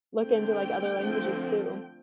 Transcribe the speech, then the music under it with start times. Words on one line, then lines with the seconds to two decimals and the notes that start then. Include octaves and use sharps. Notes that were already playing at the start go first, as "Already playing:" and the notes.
look into, like, other languages too.
0.20 D3 A3 C4 G5
0.97 D3 F3 A3 C4